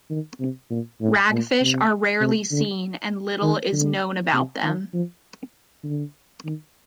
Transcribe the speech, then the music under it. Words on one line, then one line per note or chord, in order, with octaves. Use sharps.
Ragfish are rarely seen and little is known about them.
D#3
C3
A#2
A2
A#2
C3
C3
D3
D#3
D3
C3
D#3
F3
D3
D#3